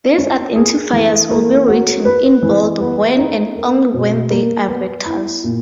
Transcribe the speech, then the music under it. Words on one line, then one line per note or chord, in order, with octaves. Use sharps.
These identifiers will be written in bold when and only when they are vectors.
C#4
G#4
E3
A#3
F#4
B4
E3
B3
D#4
A#4
B2
A#3
B3
E4
A#2